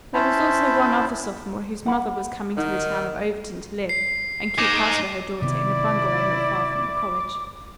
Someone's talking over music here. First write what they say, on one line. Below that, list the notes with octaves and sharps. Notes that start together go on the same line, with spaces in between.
There was also one other sophomore whose mother was coming to the town of Overton to live and keep house for her daughter in a bungalow not far from the college.
C#4 E4 C5 A5 B5
F#5 B5
D#3 D#4 F#5
C7
G#3 D#4 D6 E7
C3 D#3 B3 E4 D5 D6